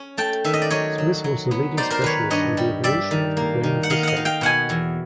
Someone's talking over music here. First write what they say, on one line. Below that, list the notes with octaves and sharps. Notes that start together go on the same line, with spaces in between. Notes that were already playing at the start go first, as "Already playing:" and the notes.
Smith was the leading specialist on the evolution of the brain of his day.
Already playing: C#4
A3 G5 A5
D#3 E5
D#5
D5
F#3 C#5 D#5
F#3
F#3
B3
D#4 C5 D5
A#4 C5
D#3 B4 C#5
G2 C#5 D#5
G3
G3 D5 E5
D#3
A#3
D#3
F#5
D#3 D#5 F5
D#5 F5 F#5
D#3
F5 G5
B2 F#5 G#5
E2